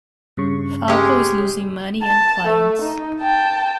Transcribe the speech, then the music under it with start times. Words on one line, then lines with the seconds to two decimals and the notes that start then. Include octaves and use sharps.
Falco is losing money and clients.
0.37 G2 C#3 C#6
0.88 G#3 C#4 G4
2.03 A5
2.47 A3
2.81 D#4
3.21 G5 A5